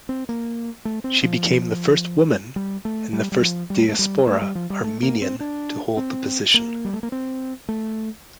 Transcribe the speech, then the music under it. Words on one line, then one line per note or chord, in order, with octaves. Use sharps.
She became the first woman and the first diaspora Armenian to hold the position.
C4
A#3
A3
C4
F3
G3
A3
G3
G3
F3
G3
A3
G3
A3
G3
F3
G3
A3
A#3
C4
D4
C4
A#3
G3
A3
A#3
C4
A3